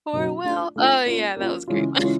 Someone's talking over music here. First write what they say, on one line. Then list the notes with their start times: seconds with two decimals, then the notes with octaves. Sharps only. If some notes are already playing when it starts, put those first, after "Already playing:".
for well. Oh, yeah, that was a great one.
0.13 B2 F#3 A#3 C#4 F#4
0.44 A3 D4 F4
0.76 A3 D4 F4
1.06 A#3 C#4 F4
1.36 A#3 C#4 F4
1.68 C#3 E3 G#3 C#4 F4
1.98 C#3 E3 G#3 C#4 F4